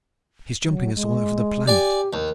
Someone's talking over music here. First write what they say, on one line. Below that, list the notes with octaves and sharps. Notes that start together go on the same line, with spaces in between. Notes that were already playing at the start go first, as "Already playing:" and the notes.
He's jumping us all over the planet.
F#3
G#3
G4 D5 G#5
D#2